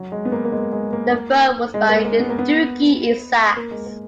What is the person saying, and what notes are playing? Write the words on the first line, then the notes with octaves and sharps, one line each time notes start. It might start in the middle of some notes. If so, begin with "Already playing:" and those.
The throw was by Dougie Isaacs.
Already playing: F#3
G#3
B3
A#3
A#3
G#3
G#3
A#3
G#3
A#3
A#3
B3
A#3
B3
A#3
G#3
A#3